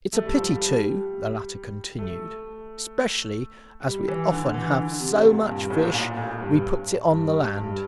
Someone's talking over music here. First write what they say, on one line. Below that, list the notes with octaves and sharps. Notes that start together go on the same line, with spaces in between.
"It's a pity too," the latter continued, "specially as we often have so much fish we puts it on the land."
A3
G3
F3
G3
A3
G3
E3
D3
E3
D3
C3
A#2
G2
A2
A#2
A2
A#2
A2
G2
G2
G2